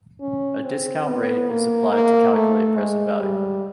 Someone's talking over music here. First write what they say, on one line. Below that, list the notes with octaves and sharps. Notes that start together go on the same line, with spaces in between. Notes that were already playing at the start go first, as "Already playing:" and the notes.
A "discount rate" is applied to calculate present value.
C#4
C4
B3
A#3
A#3
A3
G#3
G3